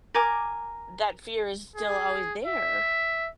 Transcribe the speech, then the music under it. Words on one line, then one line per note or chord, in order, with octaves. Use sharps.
that fear is still always there.
A#4 G#5 D6
G#4
E5